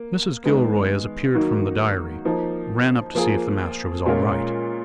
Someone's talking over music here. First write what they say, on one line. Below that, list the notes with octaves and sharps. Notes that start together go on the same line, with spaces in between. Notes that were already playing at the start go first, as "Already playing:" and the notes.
Mrs. Gilroy--as appeared from the diary--ran up to see if the master was all right.
Already playing: A#3
D#3 G#3 B3
D#3 F#3 A#3 D#4 F#4
F3 A#3 D#4
F3 A#3 F4 G#4
A#2 G#3 C#4 F4 A#4